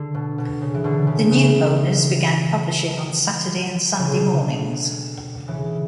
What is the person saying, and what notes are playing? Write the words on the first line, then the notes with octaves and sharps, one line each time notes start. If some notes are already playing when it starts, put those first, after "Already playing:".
The new owners began publishing on Saturday and Sunday mornings.
Already playing: D3
B2
B2
C#3
E3
B2 D3
C#3
C#3 E3
C#3
B2 D3
C#3 E3